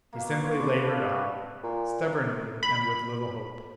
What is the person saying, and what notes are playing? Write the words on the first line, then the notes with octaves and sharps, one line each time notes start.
He simply labored on, stubbornly and with little hope.
B2 A#3
C#5 D5 C6
C5 A5 B5 D6
D4
B4 F5
F#4 G4 D5
A#2
B5